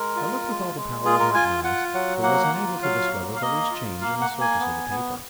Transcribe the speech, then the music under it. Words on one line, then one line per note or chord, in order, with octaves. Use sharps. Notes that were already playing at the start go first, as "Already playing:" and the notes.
I looked with all the power of my eyes, but was unable to discover the least change in the surface of the paper.
Already playing: G#3 A#4
F4
G#3
G#3
F4 G#4
A#4
F4 G#5
F4 F#5
F#3 F#5
A#3 F#5
F4
F#3 F5
A#3
F5
A#3 D#5
F4
A#3 F5
F#5
A#3
G#5
B3
B3